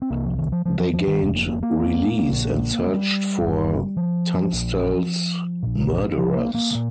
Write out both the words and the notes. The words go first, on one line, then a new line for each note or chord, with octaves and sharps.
They gained release and searched for Tunstall's murderers.
C4
C2 C3 A#3
F3
D#3
F3
F3
F3
F3
D#3
F1 F2 C3
A#3
A#3
A#3
A#1 A#2
G3
G1 G2
F3
A#1 A#2
A#1 A#2
F3
A#3
A#3
A#2 A#3